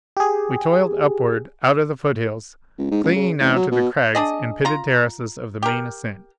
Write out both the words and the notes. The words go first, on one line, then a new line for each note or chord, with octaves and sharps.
We toiled upward, out of the foothills, clinging now to the crags and pitted terraces of the main ascent.
G4 G#4
C#2
G#2
C#2
C#3
A1
F#3
B2
D4 G#4 D#5
F4 A#5
G4 A#4